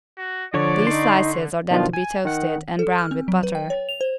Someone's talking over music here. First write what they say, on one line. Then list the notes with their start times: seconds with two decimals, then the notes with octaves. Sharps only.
These slices are then to be toasted and browned with butter.
0.18 F#4
0.54 D3 F3 C#5 D5 C#6
0.87 D#4 C6 C#6
1.71 B2 D#3 F3 D4 F4
1.93 G#5
2.25 D#3 F#5
2.79 A4
2.98 F6
3.11 C4
3.28 F#3
3.43 B4
3.55 G5
3.70 C#5
3.89 F7
4.01 C5